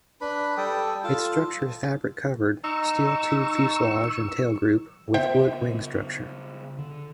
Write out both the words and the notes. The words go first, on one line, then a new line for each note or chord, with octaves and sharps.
Its structure is fabric-covered, steel tube fuselage and tail group, with wood wing structure.
D4 B4 B5
G3 A4 G5 D#6
F4 A4 A5
D#4 C#6 E6
C#3 B3 C5 E5 G5
D3